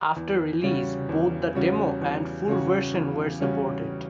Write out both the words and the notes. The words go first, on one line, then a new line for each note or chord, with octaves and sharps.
After release both the demo and full version were supported.
E2
C#3 G3 C#4 F#4
E2
C#3 G3 C#4 F#4
E2
C#3 G3 C#4 F#4
E2
C#3 G3 C#4 F#4